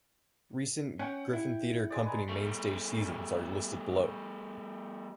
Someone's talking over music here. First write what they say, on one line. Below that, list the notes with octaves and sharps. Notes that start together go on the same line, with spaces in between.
Recent Griffin Theatre Company mainstage seasons are listed below.
C#4 F#5 G5
E4
G#3 G#4 D5
B4 G#5 A#5
G3 A3